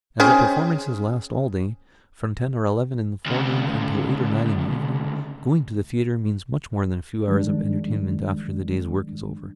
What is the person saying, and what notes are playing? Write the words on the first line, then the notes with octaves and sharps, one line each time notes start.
As the performances last all day, from ten or eleven in the forenoon until eight or nine in the evening, going to the theatre means much more than a few hours of entertainment after the day's work is over.
C4 C#4 G#4
D2 C#3
D#3 F3 G3 G#3 D4